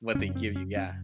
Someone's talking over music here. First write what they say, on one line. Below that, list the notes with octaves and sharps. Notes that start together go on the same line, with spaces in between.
what they give you, yeah.
F#2 C#3 C#4
C#4
C4
C#4
C#4